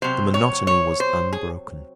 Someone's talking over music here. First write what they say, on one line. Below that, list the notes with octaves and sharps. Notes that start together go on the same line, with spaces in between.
The monotony was unbroken.
C3 F#3 C5
C#5
C#5
C5
G#4